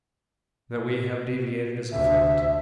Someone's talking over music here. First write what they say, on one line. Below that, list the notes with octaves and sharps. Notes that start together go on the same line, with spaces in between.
That we have deviated is a fact.
D2 C3 E5